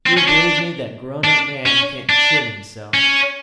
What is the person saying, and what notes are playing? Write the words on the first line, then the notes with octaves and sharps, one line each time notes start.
If you'll believe me, that grown-up man can't chin himself.
C4
C#4
D4
D4
C#4
D4
C#4